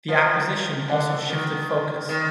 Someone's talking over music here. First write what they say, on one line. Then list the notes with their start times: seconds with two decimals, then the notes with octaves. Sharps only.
The acquisition also shifted focus.
0.08 F3
0.88 D3
1.29 D#3
2.09 D#3